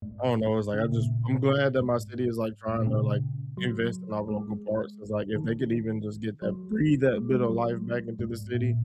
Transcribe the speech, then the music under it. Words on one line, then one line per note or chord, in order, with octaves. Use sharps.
I don't know, it's, like, I just I'm glad that my city is, like, tryna, to like, invest in our local parks, it's, like, if they could even just get that breathe that bit of life back into the city,
G#2
C#3
A#2
G#2
G#2
A#2
C#3
F#3
G#3
D#3
F#3
G#3
G#3
F#3
G#2
A#2